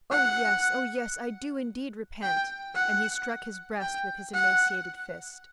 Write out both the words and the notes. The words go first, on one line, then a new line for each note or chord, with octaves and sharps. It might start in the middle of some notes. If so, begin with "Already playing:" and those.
"Oh, yes; oh, yes, I do indeed repent." And he struck his breast with his emaciated fist.
F#5
G5
F#5
G5
F#5